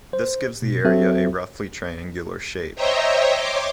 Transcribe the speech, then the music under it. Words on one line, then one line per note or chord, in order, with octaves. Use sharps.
This gives the area a roughly triangular shape.
C5
B2
F#3 C4 F#4 A4 C5 E5
C5 C#5 D#5 E5 G5 A#5
C#5 C6 D6